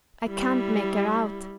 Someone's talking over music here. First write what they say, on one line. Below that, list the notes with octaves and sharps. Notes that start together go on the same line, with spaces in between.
I can't make her out.
G3 E4